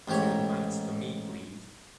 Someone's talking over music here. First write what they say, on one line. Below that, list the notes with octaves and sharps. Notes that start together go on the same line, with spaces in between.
Two pints for me please.
A1 G#2 G4 C#5